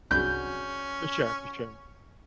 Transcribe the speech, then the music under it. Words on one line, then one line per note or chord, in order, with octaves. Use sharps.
For sure. For sure.
C2 F#2 C#4 D4 F#4 G#4 B5 G6